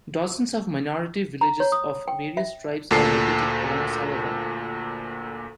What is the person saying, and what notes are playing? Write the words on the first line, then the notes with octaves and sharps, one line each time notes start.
Dozens of minority villages of various tribes are located around Salavan.
A#5
C#5
D#6
G5
E5
D2 A#2 A4 C7